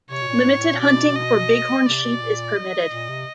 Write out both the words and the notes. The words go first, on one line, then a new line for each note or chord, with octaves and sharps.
Limited hunting for bighorn sheep is permitted.
C3 C#5
B2
A#2
G#2
A2
A#2
B2 D5
D#5
C3 D5
B2
A#2
D#5
A#2
C3